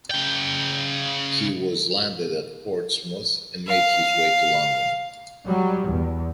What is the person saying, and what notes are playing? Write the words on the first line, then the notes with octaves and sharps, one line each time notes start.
He was landed at Portsmouth and made his way to London.
C#3 G5
F5
F#3 G3
E2